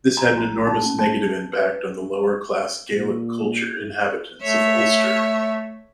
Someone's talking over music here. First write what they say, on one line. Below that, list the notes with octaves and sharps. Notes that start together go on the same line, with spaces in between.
This had an enormous negative impact on the lower class Gaelic-culture inhabitants of Ulster.
A#5
A#5
D#4
C#4
A5
B4
A#2
A3 C#5 E5